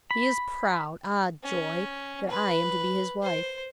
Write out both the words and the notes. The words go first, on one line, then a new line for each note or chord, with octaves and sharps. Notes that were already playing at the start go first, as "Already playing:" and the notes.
He is proud--ah, joy!--that I am to be his wife.
B5
C#4
B4
C5